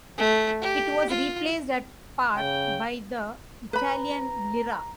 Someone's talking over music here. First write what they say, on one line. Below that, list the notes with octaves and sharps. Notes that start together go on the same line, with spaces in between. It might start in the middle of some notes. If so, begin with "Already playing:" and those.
It was replaced at par by the Italian lira.
A3
G4
F4
C#3 G5
B4 A#5 B5